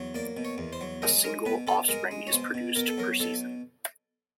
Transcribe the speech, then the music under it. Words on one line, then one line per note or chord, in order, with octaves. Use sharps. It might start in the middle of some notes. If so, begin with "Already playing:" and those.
A single offspring is produced per season.
Already playing: E2 F#3
A#3 D5
B2
C#5
E2
C5
F#3
G#3 A#4
G#3 A#4
B2 B4
B2 A4
G#3 A#4
G#3
C#5
B2 C5
B2
B2 A#4
A4
F#3 A#4
B2 A4